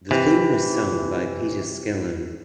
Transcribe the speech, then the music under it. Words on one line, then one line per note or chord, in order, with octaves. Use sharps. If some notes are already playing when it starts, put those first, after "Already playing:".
The theme was sung by Peter Skellern.
C3 E3